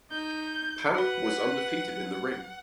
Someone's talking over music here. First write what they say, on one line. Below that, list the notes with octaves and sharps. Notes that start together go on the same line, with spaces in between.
Papp was undefeated in the ring.
D#4 G6
F#4 B4 F#5 B5